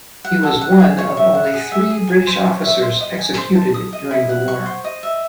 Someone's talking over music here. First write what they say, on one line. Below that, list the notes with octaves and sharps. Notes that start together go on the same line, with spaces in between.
He was one of only three British officers executed during the war.
F#5
A4
F#5
G#4
C#5
E5
F#5
G#4
E5
G#4
G#5
C5
C#5
E5
C5
D#5
G#5
C5
A5
D#6
D#5
E4
F#5
C#6
C5
D#5
E5